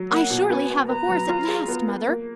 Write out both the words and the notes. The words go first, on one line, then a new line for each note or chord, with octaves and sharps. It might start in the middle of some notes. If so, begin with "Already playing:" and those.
"I surely have a horse at last, mother."
Already playing: F#3
A#3 F#5
B2
B3 G#5
B3
B4 A#5
F#3
F4
G#4
B3
B3
A#3